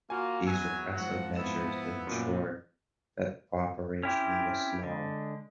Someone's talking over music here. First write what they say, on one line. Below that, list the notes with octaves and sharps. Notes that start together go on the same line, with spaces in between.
These repressive measures ensured that the cooperation was small.
A#3 F4 F#4 G#5
E2 F#3 G#5 E6
G#2 F3 F#5
B3 E4 E7
F#2 A#2
C4 C#4 E4 G4
D3 G#3